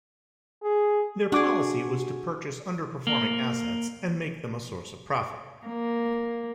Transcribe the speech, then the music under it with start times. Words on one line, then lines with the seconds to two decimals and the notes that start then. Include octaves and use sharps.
Their policy was to purchase underperforming assets and make them a source of profit.
0.63 G#4
1.32 D4 F#4 G#4 D6
3.07 A#3
5.65 A#3